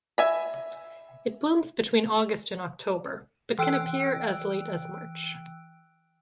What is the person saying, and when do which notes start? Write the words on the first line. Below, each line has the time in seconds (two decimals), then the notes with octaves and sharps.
It blooms between August and October but can appear as late as March.
0.18 E5 G#5 B5
3.59 E3 G5 E6 F#6 D7